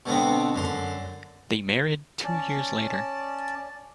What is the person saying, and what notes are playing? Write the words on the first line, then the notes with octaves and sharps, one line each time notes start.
They married two years later.
B2 D3 B3 C4
F#2 D3 C6
C#4 D5 A5